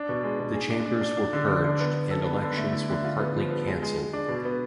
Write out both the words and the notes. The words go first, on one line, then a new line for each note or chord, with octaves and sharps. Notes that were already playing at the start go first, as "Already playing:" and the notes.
The chambers were purged, and elections were partly cancelled.
Already playing: D4
B2
G#3
B2
G#4
D4
D4
D4
D4
D3
D3
D3
B3
B3
A4
B3
D3
A3
E4
D3
F4
B3
F3
B3
G#3
G#3
G#3
D4
B2
B3